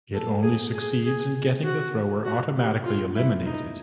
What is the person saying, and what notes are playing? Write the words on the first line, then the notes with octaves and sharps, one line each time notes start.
It only succeeds in getting the thrower automatically eliminated.
A4
G#4
G#4
G#4
F#4
F#4
G4
F4
E4
D#4